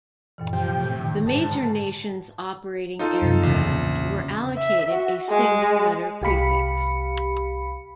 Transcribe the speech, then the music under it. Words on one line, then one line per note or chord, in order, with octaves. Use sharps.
The major nations operating aircraft were allocated a single letter prefix.
F#2 A#2 E3
C3 F3 G4 G5
A2
D3 D#3
G#2 D3 A5
D#4 F4 A4
F#2 C3
A#1 E2 C#3
E5
F#4
G#3
C2 G4 F5 B5 C#7